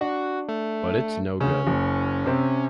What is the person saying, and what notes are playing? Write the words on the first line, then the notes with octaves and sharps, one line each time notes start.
But it's no good.
D4 F#4
A3
D2 C#3 C#4
F#1
C3 C4